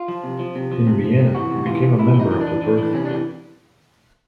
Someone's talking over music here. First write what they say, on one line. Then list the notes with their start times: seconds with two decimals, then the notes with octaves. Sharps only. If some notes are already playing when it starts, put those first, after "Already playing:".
In Vienna, he became a member of the Burgtheater.
Already playing: F4
0.08 F3
0.23 C3
0.39 F3
0.55 C3
0.72 F3
0.87 C3
1.04 F3
1.19 C3
1.35 E3 F#4
1.51 C3
1.66 E3 F4
1.82 C3
1.99 C3 E4
2.14 E3
2.20 D#4
2.31 E3
2.41 D4
2.47 E3
2.61 E3
2.78 E3
2.93 C3 C#4
3.05 E3 D4